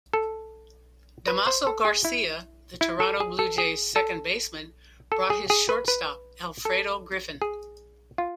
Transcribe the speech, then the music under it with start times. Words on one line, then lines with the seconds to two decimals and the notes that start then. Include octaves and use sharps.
Damaso Garcia, the Toronto Blue Jays' second baseman, brought his shortstop, Alfredo Griffin.
0.13 A4
1.28 B4
1.47 C5
1.67 A4
1.85 G#4
2.05 E4
2.81 E4
3.00 A4
3.20 G#4
3.39 A4
3.58 G#4
3.96 A4
5.12 A4
5.30 G#4
5.50 G#4
5.69 B4
5.88 B4
6.65 A4
7.42 G#4
8.18 F4